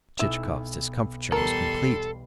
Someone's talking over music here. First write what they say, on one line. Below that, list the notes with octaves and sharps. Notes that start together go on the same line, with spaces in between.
Chichikov's discomfiture was complete.
B1 E4 E5 E6
E2 G3 A4 A#4 C6